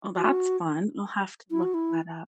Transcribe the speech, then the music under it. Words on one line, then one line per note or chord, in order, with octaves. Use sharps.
Oh, that's fun, I'll have to look that up.
F#4
E4
F#4
E4